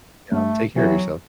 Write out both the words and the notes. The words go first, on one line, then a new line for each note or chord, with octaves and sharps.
You know, take care of yourself.
G2 A3
E3 F#3 B3 E4 G4